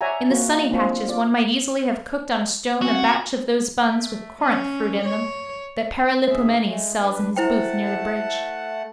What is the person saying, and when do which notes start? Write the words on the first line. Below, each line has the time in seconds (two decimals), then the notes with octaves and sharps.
In the sunny patches one might easily have cooked on a stone a batch of those buns with Corinth fruit in them that Periplipomenes sells in his booth near the bridge.
0.01 C#5 D5 E5 F#5 G#5 A#5
0.30 A#3 F4 F#4
0.71 A#3 C4 D4 F4
1.09 F4 D5
2.82 C4 F#4 F5 F#5 G#5
3.83 A3
4.42 C#4
5.02 C#5
6.27 G2 G#4 E5
6.62 G#3 A3
7.00 D4 B4
7.36 A3 E4 C5 F#5 G5 A5